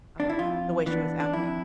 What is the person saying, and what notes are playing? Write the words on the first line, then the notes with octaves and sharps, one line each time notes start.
um, the way she was acting.
D4
E4
F2 F4
E3 B3 D4
D4
F2 E4